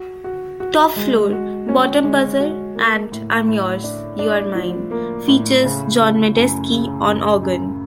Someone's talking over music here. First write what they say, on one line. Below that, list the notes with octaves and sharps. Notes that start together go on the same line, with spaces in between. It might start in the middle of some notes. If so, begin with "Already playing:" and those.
"Top Floor, Bottom Buzzer" and "I'm Yours, You're Mine" features John Medeski on organ.
Already playing: F#4
F#4
F#4
G#3
F#4
C#4
G#3
F#4
A#3
A2
A2
D4
D4
F3
A#3
A2
C#3
C#3
F#2
C#3
F#2
F#2